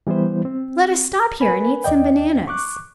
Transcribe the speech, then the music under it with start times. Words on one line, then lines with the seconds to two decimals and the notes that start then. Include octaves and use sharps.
Let us stop here and eat some bananas.
0.07 E3 G3 B3 E4 C5
0.45 C4
1.41 A#4 B4 G#5 B5
1.84 D#2 D5 D#5 G5
2.47 C#6 D6 F#6